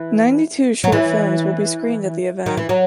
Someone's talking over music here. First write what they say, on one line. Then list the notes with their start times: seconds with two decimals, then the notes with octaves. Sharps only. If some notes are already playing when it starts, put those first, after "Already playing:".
Ninety two short films will be screened at the event.
Already playing: E3
0.84 F#3
0.92 E3
2.46 D#3
2.57 E3
2.69 F#3